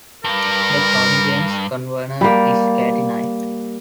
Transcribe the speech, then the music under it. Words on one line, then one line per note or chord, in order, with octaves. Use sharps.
The current Games Convener is Katie Knight.
G2 A#4
G3 A#3